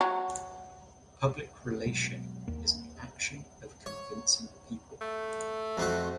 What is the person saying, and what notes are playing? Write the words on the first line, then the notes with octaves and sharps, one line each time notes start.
Public relation is an action of convincing people.
F#3
B2 F#3 G#3
D#2 A#3
C#5
A3
F2 C4 F#4